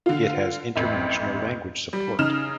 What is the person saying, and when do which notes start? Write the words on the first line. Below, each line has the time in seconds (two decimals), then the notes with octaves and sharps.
It has international language support.
0.06 D3 F4
0.76 A1 F2 E5
1.93 G3
2.19 C#3 D#4 F6 E7